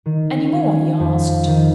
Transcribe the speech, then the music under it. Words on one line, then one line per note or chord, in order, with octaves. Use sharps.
"Any more?" he asked.
D#3
C#4
F2
D#3